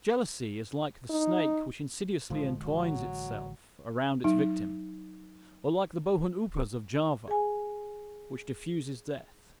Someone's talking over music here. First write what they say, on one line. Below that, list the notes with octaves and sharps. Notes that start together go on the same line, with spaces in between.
Jealousy is like the snake which insidiously entwines itself around its victim; or like the bohun upas of Java, which diffuses death.
D#4
A1 D3 F3 G#3
F#3
F#3 D#4
G#4 G#5